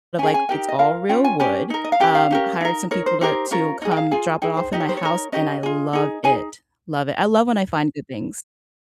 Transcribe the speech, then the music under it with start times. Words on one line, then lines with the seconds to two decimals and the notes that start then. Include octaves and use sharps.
of, like it's all real wood, um, hired some people to to come drop it off at my house and I love it. Love it, I love when I find good things.
0.18 C#4 G#5
0.23 G#4 G5
0.34 G#5
0.49 D#4 G4 A#4 G5
0.69 D#5
0.79 F4 A#4 F5
1.09 C#4 F4 G5
1.24 G#5
1.39 C#4 G4 A#4 G#5
1.70 D#4 A#4
1.84 D#5
1.92 F5
2.00 C#4 G4 A#4 G5
2.15 F5
2.31 C#4 G4 A#4
2.61 D#4 A#4
2.91 D#4 A#4 C#5
3.06 C5
3.21 D#4 G4 A#4 C5
3.51 C#4 F4 A#4 C#5
3.82 D#4 G#4 D#5
3.91 G5
3.97 F5
4.11 F4 G#4 G#5
4.42 D#4 G#4 G5
4.57 C5
4.73 D#4 G4 A#4 D#5
4.80 C#5
4.89 C5
4.97 C#5
5.03 D#4 A#4
5.32 C#4 G4 A#4 D#5
5.63 F4 G#4
5.93 D#4 G#4
6.24 D#4 G#4 G#5